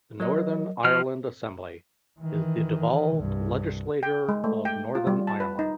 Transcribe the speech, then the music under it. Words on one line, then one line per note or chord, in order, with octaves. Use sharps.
The Northern Ireland Assembly is the devolved legislature of Northern Ireland.
F#3 A#4 D#5
F3 F6
D#3 E3
C2 G2
G5
G#3
A3
G5
F4
G3
A5
B4
D#4